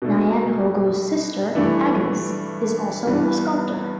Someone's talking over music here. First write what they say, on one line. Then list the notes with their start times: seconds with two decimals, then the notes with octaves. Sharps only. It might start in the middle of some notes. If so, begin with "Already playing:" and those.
Nyanhongo's sister Agnes is also a sculptor.
0.02 B2 A3 D4
1.55 G2 E3 A3 D4
3.07 G2 E3 B3 D4